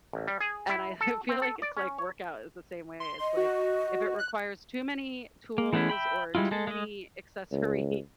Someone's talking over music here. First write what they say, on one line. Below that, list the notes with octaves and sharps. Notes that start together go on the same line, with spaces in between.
And I I feel like, it's, like workout is the same way, it's, like if it requires too many tools, or too many accessories
A1
G3
G#4
E4
A4
C4
A4
D5
C#4
C#5
C6
D#5
F#4
F#6
A#3
E3 A3 B3 C#4 E4
E5 G5 B5
G3 G#3 E4 F4
G#3 A4
G#3 D#5
C#2